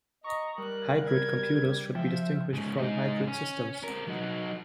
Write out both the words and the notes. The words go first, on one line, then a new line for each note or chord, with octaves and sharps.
Hybrid computers should be distinguished from hybrid systems.
D#5 A#5 C#6
G3 A#4 F#6
G4 G#6
F3 E5 G5
G#2 C#3
G#2 D#4
C#4
C4 A#4
F#3 D#4